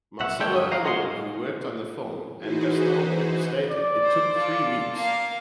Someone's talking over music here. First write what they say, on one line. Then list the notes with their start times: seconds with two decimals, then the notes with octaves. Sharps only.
Marcello Avallone who worked on the film and Gastaldi stated it took three weeks.
0.20 C2 E5 F#5
0.40 G#3 A#3 G4 A4 C#5 G5
0.54 G2 D3 D#5
0.72 F5 A#5
0.84 F4 G#4 D#5 F#5 A5 C6
2.39 E3 D#4 F#4 G#4 B4 C5
3.71 D5
4.04 C5
4.35 F4 A4
4.94 A#3 F5